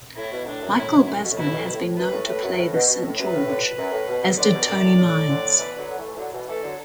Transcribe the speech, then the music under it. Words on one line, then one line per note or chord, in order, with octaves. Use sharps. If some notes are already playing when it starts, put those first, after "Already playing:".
Michael Basman has been known to play the Saint George, as did Tony Miles.
A2 E4
B2
A2 D4
F#2
A2 E4
F#2
A2
B2
A2
B2 E4
A2
B2
A2
B2
A2
F#2 B4
A2
A2 B4
F#2
A2
B2
B2
A2
F#2 B4
A2
A2 D3
F#2
A2
B2
B2
A2 D3 D5
B2
F#2
A2
A2
A2 D3
B2 E3 B4
D3 F#3
E3 A3
E3
D3 F#3
B2 E3
E3 A3 A4
D3 F#3